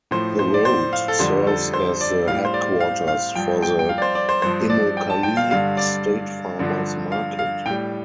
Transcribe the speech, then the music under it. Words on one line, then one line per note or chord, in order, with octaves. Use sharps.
The road serves as the headquarters for the Immokalee State Farmer's Market.
A2 F3 C5
C5
D5
C5
F5
A4
F2 D3 G3 C5
A4
C5
D5
A2 G3 F5
C5
D5
F5
F5
G2 F3 G5
G5
G5
F5
D5
C5
D5
C5
G2 F3 C5
D5
G5
A5
G5
F5
G2 D3 G3 F5
D5
G2 D3 F3
F5
F5
A2 G3 G5